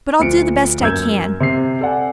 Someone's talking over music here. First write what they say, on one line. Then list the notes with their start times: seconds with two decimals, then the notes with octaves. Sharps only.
But I'll do the best I can.
0.19 D2 F3 C#7 D7
0.81 F#2 A#3 E6 G6 G#6
1.40 C3 C7
1.81 A4 D5 F#5 G#5